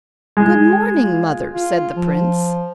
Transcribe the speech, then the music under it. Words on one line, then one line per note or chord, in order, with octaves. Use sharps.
'Good-morning, mother,' said the prince.
G#3
F4
F4
F3